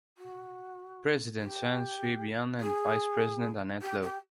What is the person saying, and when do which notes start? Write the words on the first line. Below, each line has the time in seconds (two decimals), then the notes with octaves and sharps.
President Chen Shui-bian and Vice President Annette Lu.
0.17 F#4
1.38 G4
2.60 G#4
3.81 G4
4.02 G4